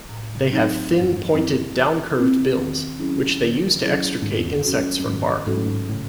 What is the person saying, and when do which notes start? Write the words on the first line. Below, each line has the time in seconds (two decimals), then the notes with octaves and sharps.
They have thin pointed down-curved bills, which they use to extricate insects from bark.
0.09 A2
0.50 F#3 C4 D#4
0.91 G#2 E3
1.01 F#2
1.11 G#2
1.33 F#2 C4 E4
1.74 E3
2.16 C4 E4
2.56 E2 D#3
2.99 F#3 C#4 E4 G#4
3.40 D#3
3.81 F#3 C#4 E4 G#4
4.22 G#2 D#3
4.30 F#2
4.38 E2
4.46 F#2
4.64 F#3 C#4 F#4 A4
5.00 F#2
5.05 G#2 D#3
5.46 G#2 F#3 C#4 F#4 A4
5.56 A2
5.66 G#2
5.88 A2 C#3